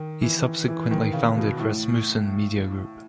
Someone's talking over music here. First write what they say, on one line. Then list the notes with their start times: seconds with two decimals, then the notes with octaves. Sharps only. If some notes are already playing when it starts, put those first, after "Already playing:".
He subsequently founded Rasmussen Media Group.
Already playing: D#3
0.22 E3
0.68 E3
0.91 D#3
1.13 C#3
1.37 B2
1.60 A2